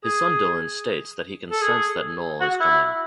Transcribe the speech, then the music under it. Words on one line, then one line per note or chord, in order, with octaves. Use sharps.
His son Dylan states that he can sense that Knull is coming.
G#4
A4
G#4
F#4
E4